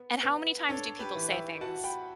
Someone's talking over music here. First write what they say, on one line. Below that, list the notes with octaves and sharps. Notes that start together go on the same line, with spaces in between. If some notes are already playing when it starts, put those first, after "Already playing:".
And how many times do people say things
Already playing: B3
B3
D4 A4 C#5
G4 B4
E3
E5 G5
F#4 F#5 A5
G5 B5